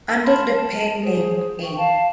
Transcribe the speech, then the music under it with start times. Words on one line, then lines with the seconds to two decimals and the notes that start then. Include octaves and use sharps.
Under the pen name A.
0.25 A5 B5 C6 F6
0.53 A5
1.02 G#4 C5
1.63 G5 C#6
1.77 F5 A5